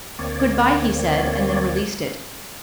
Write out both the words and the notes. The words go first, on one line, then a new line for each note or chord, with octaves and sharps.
"Good-bye," he said, and then released it.
D2 A#3 C4 C#5 D5